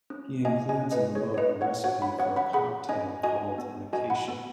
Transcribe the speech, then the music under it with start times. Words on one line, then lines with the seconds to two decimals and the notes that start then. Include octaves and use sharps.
He includes in the book a recipe for a cocktail called an "Acacia".
0.10 C#4
0.45 F#4 D#5 G#5
0.69 D#5 G#5
0.80 C#4
0.92 B4 D#5
1.15 G#4 C#5
1.34 C#5
1.38 B4 D#5
1.49 C#4
1.61 C#5 F#5
1.84 F#4 C#5 F#5
2.01 F#5 B5
2.19 C#4 C#5 F#5
2.36 F#5 B5
2.53 G#4 F#5 B5
2.89 C#4 D#5 G#5
3.23 F#4 D#5 G#5
3.58 B3
3.93 F#4 D#5 G#5
4.10 F#5 B5
4.28 B3